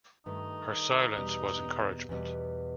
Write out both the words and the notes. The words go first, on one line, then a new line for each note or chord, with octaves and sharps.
Her silence was encouragement.
G2 D#3 A3 D#4
E2 B2 G3
E2 B2 G3